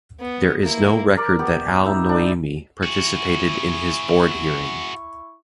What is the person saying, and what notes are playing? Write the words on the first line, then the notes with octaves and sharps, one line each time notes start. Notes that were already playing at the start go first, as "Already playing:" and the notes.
There is no record that Al Noaimi participated in his Board hearing.
B3
A#3 E4
A#4 D5
B3 G4
D#4 E5
D4
E4 F#4 G#4 C#6